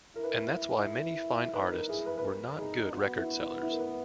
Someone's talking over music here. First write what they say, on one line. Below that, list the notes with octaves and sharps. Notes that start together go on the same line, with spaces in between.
And that's why many fine artists were not good record sellers.
E4 A#4
B4
A#4
D#4 B4
A#4
E4 G#4
B4
B4
A#4
D#4 G#4
B3 F#4
E4
E4
E4
A#4
B4